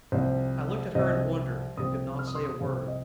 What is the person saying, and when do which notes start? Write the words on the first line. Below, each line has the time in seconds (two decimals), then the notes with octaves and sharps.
I looked at her in wonder, and could not say a word.
0.12 C2 C3 F3 C4 C5
0.95 C2 C3 F3 C4 D#5
1.77 C2 C3 F3 C4 D#6
2.19 F6
2.27 D#6
2.35 C6
2.43 D#6
2.60 C2 C3 F3 C4 F5
2.88 D#5